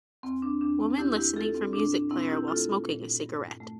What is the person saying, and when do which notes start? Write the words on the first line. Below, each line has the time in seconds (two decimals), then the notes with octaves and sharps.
Woman listening for music player while smoking a cigarette.
0.23 E2 C4
0.42 D4
0.61 E2 D4
0.80 C4
0.98 E2 E4 G4
1.17 E4 G4
1.36 E3 F4 A4
1.54 C4
1.73 A#2 D4
1.92 D4
2.11 A#2 C4 E4
2.29 E4 G4
2.48 A3 F4 A4
2.85 A#2
3.23 G2
3.60 A3